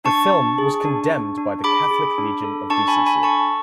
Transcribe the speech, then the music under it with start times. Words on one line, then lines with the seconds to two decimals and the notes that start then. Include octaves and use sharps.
The film was condemned by the Catholic Legion of Decency.
0.05 D4 A5 C#6
0.32 D4
0.58 G#4
0.85 D4
1.11 D4
1.38 D4
1.64 G#4 B5 D6
1.91 G#4
2.18 D4
2.44 A4
2.70 D4 A5 C#6
2.88 G#5 B5
2.97 D4
3.07 G#5 B5
3.23 A4 A5 C#6